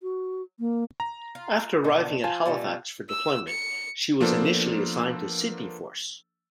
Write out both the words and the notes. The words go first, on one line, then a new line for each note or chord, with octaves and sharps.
After arriving at Halifax for deployment, she was initially assigned to Sydney Force.
F#4
A#3
A#5
F4
B2 D3 D#3
F3 F4 G#5 A5
B2 G3 A3
E6
C#7
F3 A#3 B3 D4 A4 C5